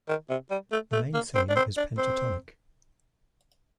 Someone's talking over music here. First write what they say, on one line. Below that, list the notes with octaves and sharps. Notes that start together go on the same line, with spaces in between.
The main theme is pentatonic.
D#3
C3
G3
A3
A3
A#3
C4
D4
C4
D4
C4